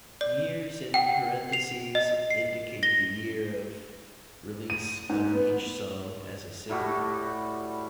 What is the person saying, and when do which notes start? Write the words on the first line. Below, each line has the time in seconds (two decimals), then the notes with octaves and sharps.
Years in parentheses indicate the year of release of each song as a single.
0.21 D5
0.94 F#5 G5
1.52 C7 F7
1.95 D#5
2.30 C7
2.83 A#6 G7
4.70 D#7
5.10 G#2
5.33 B3
6.69 A2 G3 F#4 A4